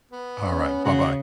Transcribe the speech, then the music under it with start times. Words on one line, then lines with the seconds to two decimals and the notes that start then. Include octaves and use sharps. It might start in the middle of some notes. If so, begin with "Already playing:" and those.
Alright. Bye-bye.
0.11 B3
0.45 C#4
0.85 C#3 F#4